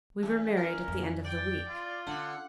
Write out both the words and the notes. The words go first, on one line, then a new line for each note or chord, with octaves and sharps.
We were married at the end of the week.
E2 C#4
A#4
F2
D5 G5
F4
D3 C#4 F#5